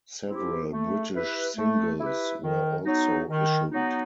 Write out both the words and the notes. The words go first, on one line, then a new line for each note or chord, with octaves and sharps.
Several British singles were also issued.
C4 E4 G4
A3
E4 G4 B4
A3
E4 G4 B4
D#3
F#3 B3 D#4
D#3
F#3 B3 D#4